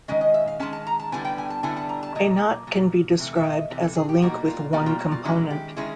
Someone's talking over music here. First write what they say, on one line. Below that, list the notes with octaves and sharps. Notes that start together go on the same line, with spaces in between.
A knot can be described as a link with one component.
D#3 G#3 C#4 D#5
D#5
E5
F5
D#3 G#3 C#4 A5
A5
A#5
A5
D3 G3 B3 E4 G#5
G5
G#5
A5
D3 G3 B3 E4 G#5
A5
A#5
A5
A#2 F#3 A#3 D#5
A#2 F#3
C3 E3 A3
E5
D#5
C3 E3
A4
G#4
G4
B2 G3 A#3 D#4 F#4
F4
B2 G3 A#3 D#4
F4
F#4
F4
D#3 G#3 C#4 E4 F#4
G4
D#3 G#3 C#4 E4 G#4